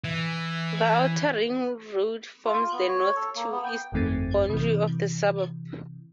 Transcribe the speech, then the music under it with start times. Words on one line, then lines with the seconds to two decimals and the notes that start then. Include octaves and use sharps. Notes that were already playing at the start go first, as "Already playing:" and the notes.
The outer ring road forms the north to east boundary of the suburb.
0.04 E3
2.46 F4
2.73 B3
2.88 C#5
3.16 A4
3.35 A#3
3.51 B3
3.64 G5
3.92 G1 F2 D#3 A3 C4 A6
4.49 C3 E3